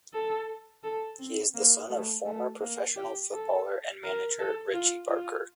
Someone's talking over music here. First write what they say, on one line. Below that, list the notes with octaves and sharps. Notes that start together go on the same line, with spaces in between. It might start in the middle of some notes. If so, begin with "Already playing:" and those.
He is the son of former professional footballer and manager Richie Barker.
A4
A4
C4
A#3
A3
A3
A#3
G4
A4
A#4
A4
F4
F4